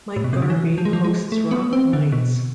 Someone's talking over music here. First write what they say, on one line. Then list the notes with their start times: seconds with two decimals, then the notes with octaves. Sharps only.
Mike Garvey hosts Rock Nights.
0.16 A2
0.24 B2
0.33 C3
0.42 D3
0.50 E3
0.78 F3
0.85 G#3
0.93 F3
1.05 G#3
1.32 A3
1.51 B3
1.73 C4
1.93 D3
2.12 B2